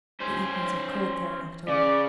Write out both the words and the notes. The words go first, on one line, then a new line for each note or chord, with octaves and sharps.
The evenings are cold there in October.
C#4 C5
C#3 D5